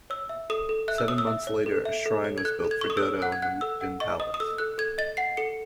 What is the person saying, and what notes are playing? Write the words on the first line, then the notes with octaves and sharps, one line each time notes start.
Seven months later, a shrine was built for Dodo in the Mukden Palace.
C#5 E6
E5
A4 D#6
A4
E5 F#6
E6
C#5 D#6
E6
E5
C#5
A4
E5
A4
C#5
G#6
A4 F#6
A4
G#6
C#6
A4
D#6
E6
C#5
F#5 F#6
G#6
F#5 F#6
A4 E6
F#5
D#5 C#6
D#5 D#6
D#6
A4 E6
A4 F#6
A4 G#6
D#5 A6
F#5 C7
A4 C#7